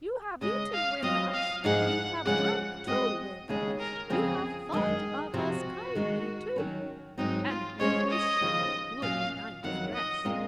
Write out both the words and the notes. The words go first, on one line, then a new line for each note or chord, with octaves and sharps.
"You have eaten with us, You have drunk, too, with us, You have thought of us kindly, too; And we wish you a good night's rest."
C#3 G#3 C#4 D#5
F5
F#3 C4 F4 D#5
F5
G#2 F3 G#3 D#4 G#4 F#5
C#3 F3 G#3 C#4 G#4 F#5
G#3 C4 F#4 D#5
D#2 C#3 G#3 C#4 G#4
A#4
F2 C#3 F3 C4 G#4
F#2 D#3 G#3 D#4 G#4
C3 F3 C4 F#4
D#3 G#3 D#4
D#3 F#3 C#4
G#2 F#3 C4 D#4
F4
G#3 C#4 G#4 C5 C#5 D#5
D#5
D#2 C#3 F3
A#2 F#3 C#4 F5
F2 D#3 F#3 F#5
D#5
A#2 G#3 C4 F4 A#4